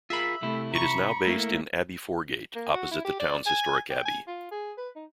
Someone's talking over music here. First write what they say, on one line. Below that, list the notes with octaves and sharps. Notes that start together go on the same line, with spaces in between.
It is now based in Abbey Foregate, opposite the town's historic Abbey.
F4 G#4 A#4 E5 B5
C3 A3 E4 G4
A#5 B5 C#6
A3 A#3 E4 A#4
A#3
F#4
E4
G4
D5
G#5
G5
G#5
F4
G#4
B4
D#4